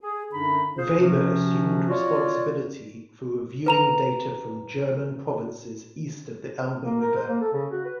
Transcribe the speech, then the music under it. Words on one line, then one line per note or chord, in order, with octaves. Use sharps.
Weber assumed responsibility for reviewing data from German provinces east of the Elbe River.
G#4
F#2 D3 D4 D#4 A#5 B5
F4 G#4 C5
C3 F3 C#4 F#4
F4 F#4 C#5 D5
B4 A#5 F7
A#3
A#4
C5
A#3
A4
C#3
F#4
B4